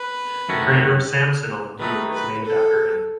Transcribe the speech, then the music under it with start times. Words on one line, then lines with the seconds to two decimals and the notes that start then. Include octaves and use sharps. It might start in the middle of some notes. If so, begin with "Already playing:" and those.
The crater Sampson on the Moon is named after him.
Already playing: B4
0.49 F#2 D#3 A3 C#4 F#4
1.79 D#3 A3 D#4 B4
2.12 B4
2.45 A4